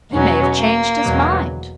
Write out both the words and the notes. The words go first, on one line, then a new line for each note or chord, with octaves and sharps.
"He may have changed his mind."
E2 B2 F#3 C#4
A#3
E2 B2 F#3